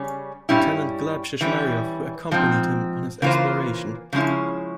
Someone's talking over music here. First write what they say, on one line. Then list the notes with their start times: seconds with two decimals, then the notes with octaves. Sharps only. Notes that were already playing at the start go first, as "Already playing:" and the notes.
Lieutenant Gleb Shishmaryov who accompanied him on his exploration.
Already playing: C#3 G3 C#4
0.49 G2 G3 C#4 E4
1.41 E3 G3 C#4
2.31 G#2 F3 C4
3.22 C#3 E3 A#3 F4 C5
4.13 C#3 F3 G#3 C#4 E4